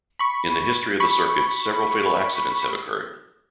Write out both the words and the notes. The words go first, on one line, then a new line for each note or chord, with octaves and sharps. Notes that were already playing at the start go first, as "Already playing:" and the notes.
In the history of the circuit, several fatal accidents have occurred.
B5 C#6
B5 C#6